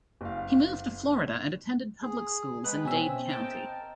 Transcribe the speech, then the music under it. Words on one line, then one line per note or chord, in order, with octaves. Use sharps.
He moved to Florida and attended public schools in Dade County.
F#1 F5
G#4
G#3 B4 G5 A#5 D#6 F#6
B2 C4 C#4 E5 G#5
D#4 A#4 D#5 G5 A5